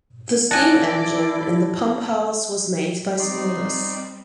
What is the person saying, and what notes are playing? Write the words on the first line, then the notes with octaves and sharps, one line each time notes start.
The steam engine in the pumphouse was made by Smulders.
E4 D5 F#5 G#5 A5 A6 A#6
G3 C4 D#4 D5 C6